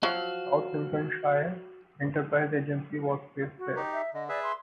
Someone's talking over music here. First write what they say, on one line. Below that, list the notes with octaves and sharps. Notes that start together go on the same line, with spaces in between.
South Lincolnshire Enterprise Agency was based there.
F3 F#3 F#4 F5
F#4
D#4 G4
E5
D3 D#5
G#4 B4 D5 E5
C6